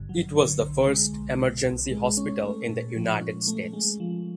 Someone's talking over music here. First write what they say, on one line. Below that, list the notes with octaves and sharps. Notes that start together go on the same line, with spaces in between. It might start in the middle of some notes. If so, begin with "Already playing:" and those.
It was the first emergency hospital in the United States.
Already playing: G#1 G2 D3
F#3
D3
B1
G#3
B1
B2
B1
G#3
C#4
A3
A#2
F3
C#4
A3
G#3
F3